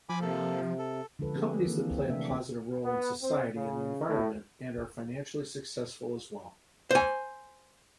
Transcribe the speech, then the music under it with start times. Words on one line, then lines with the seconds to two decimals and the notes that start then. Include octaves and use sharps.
Companies that play a positive role in society and the environment, and are financially successful as well.
0.09 F3 G#5 B5 D6
0.21 C3 A#3 A4
0.79 A4
1.19 D3 F3 G#3 F4 A4 B4
1.34 F3 C4 D4 G4 G#4 B4
1.64 D#3 E3 A#3
1.80 C4
2.10 C3 A3 D4 E5
2.84 B3
3.22 C4
3.56 C#3
4.09 A2
6.91 C5 G#5